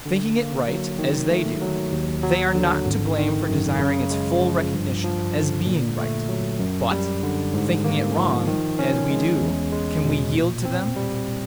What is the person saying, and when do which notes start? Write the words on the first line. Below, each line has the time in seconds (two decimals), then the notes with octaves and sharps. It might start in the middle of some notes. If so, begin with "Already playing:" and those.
Thinking it right, as they do, they are not to blame for desiring its full recognition, as being right; but thinking it wrong, as we do, can we yield to them?
0.06 D3
0.36 A#3
0.68 F#3
0.99 D#3
1.30 A3
1.61 F#3
1.92 D#2
2.23 F#3
2.55 D3
2.85 G#1
3.17 D#3
3.48 F#2
3.79 C#3
4.11 G#3
4.41 F3
4.73 G2
5.04 F3
5.36 D3
5.66 A#2
5.98 A3
6.29 F#3
6.59 F#2
6.91 G3
7.23 D3
7.54 G#2
7.84 A#3
8.17 F3
8.47 D#3
8.79 C#4
9.10 G#3
9.41 E2
9.72 G#3
10.04 B2
10.34 A#2
10.65 C4
10.96 G3